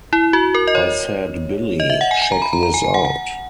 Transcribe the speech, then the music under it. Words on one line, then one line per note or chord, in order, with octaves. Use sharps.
I said, Billie, check this out.
E4
F#4
A#4
D#5
C#5
D#5
E5
F#5
G#5
G#5
A#5
B5
A#5
A#5
G#5
G#5
F#5
F#5